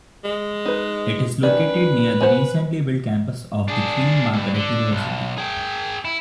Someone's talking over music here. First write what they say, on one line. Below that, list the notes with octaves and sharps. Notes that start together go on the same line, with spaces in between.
It is located near the recently built campus of the Queen Margaret University.
G#3
D#4 B4
D#3 C#4 B4 D5
C5 F#5 G#5
D4 G#4
G2
D3
B1
G#4 G5
E4